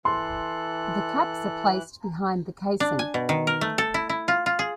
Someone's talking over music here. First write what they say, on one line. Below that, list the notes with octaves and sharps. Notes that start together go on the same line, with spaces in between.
The caps are placed behind the casing.
E3 A4 C6 F#6
D4
G#5
B2
D#3
A#4
A3
A4
E4
E4
F4
F4
G#4